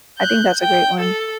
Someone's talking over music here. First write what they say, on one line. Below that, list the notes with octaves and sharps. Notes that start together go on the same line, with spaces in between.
I think that's a great one.
F#6 G6
G5
A4